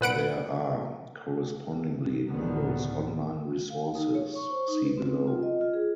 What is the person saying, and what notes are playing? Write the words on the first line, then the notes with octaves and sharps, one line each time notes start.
There are, correspondingly, numerous online resources; see below.
A#2 B4 F#5 D7
C#2 A2 D3 D#3 F3 B3
F5
D#4
C#5
C#6
C5
D#4
B4
C4
F4
D#5
F4
G#4